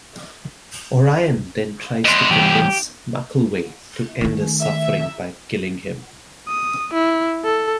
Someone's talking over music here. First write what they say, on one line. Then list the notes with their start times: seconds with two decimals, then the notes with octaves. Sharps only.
O'Ryan then tries to convince Mackelway to end his suffering by killing him.
2.05 E2 D#5 C6
2.31 E3 G3 G4
4.21 D#3 A3
4.61 E5
6.48 D#6
6.94 E4
7.45 A4